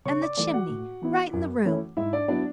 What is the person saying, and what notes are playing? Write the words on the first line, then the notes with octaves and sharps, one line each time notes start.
And the chimney right in the room!
C#3 C#5 C#6
D5 D6
E3 A3 D5 D6
F#4 F#5
A2
E3 B3 E4
F#2
E3 A3 C#4 E4
G#2 E4 E5
D4 D5
F#3 B3 D4 E4 D5